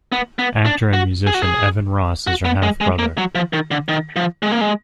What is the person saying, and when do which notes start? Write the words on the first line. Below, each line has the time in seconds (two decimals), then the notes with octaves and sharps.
Actor and musician Evan Ross is her half-brother.
0.12 B3
0.39 B3
0.65 D4
0.93 F#4
1.27 G#4
1.34 F#4
1.42 G#4
2.27 F#4
2.45 B3
2.63 G#3
2.81 G#3
2.99 A#3
3.18 F#3
3.35 F3
3.53 D#3
3.71 D3
3.89 D#3
4.16 F3
4.43 G#3
4.52 A#3
4.61 G#3